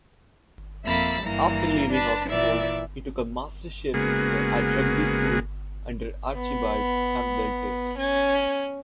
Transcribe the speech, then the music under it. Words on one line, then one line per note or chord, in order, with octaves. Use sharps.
After leaving Oxford he took a mastership at Rugby School under Archibald Campbell Tait.
F2 A#3 E5 B5 E6 A6
G2 E3 A#3 A#5
D4 B4 A5
A#2 E3 D5 E5
C#3 G#3 A#3 B3 F#4 G#4
B3
C#4